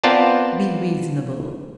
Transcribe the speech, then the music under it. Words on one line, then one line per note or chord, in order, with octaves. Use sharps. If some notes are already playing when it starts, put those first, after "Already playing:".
Be reasonable.
B3 C4 F4 A#4 D5 A5